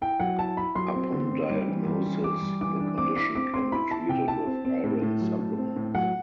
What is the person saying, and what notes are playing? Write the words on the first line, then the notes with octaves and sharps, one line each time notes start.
Upon diagnosis, the condition can be treated with iron supplements.
E4 G5
F#3 F#5
E4 A5
E4 B5
F#3 C6
C4
D3
C4
G3
E3
G3
E3
G3 D6
G3
E3 D6
D4
C4 D6
E4 D6
C4 D6
C4 C6
E4 B5
E4 A5
C3 G5
E4 A5
C4
C4
A2
A2
F#3
A2
C4
A2
F#3 F#5